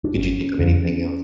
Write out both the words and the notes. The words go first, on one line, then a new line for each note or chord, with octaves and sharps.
could you think of anything else?
D4
G1 C#4
F2 D3